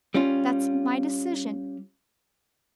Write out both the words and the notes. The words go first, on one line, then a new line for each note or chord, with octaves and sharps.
That's my decision.
G3 C#4 F4